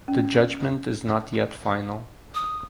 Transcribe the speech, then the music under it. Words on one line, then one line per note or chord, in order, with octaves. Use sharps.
The judgment is not yet final.
C#4
D#6